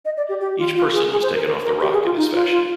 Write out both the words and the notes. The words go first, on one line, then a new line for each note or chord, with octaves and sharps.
Each person was taken off the rock in this fashion.
D#5
D5
G4
G4
F4
F4
G#4
G#4
C5
A#4
A#4
A#4
G4
G#4
F4
D#4
F4
F4